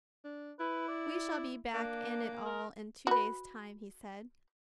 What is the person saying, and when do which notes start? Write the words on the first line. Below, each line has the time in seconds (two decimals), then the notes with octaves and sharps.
"We shall be back in it all in two days' time," he said.
0.24 D4
0.59 E4 B4
0.88 D5
1.74 A#3 D4
2.45 A#4
3.07 F#4 B4